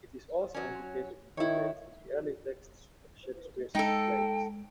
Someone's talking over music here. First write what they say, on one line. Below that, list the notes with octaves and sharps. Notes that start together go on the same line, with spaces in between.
It is also indicated in details in the early texts of Shakespeare's plays.
F#3 C#4
D#3 E4 C#5
G#3 D#4 A4 G5